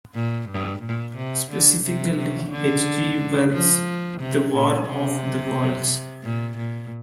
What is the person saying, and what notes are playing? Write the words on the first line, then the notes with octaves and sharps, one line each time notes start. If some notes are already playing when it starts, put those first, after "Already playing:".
Specifically, H. G. Wells' "The War of the Worlds".
A#2
G2
A#2
C3
D3
C3
C3
D3
F3
C3
A#2
C3
A#2
A#2